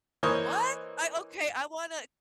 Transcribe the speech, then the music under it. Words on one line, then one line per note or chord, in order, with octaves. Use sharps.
What? I okay, I wanna
E3 A#3 D#4 C5 C#5 D#5